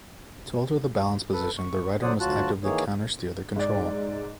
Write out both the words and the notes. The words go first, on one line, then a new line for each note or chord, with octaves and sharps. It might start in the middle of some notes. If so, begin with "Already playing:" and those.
To alter the balance position the rider must actively countersteer the control.
A4 B4
C#6
D3 F#3 C5 D5 F#5 D#6
D2 F#3 F4 F#4 A5 F#6
D#3 E3 A#3 G#4 C#5
G#2 D5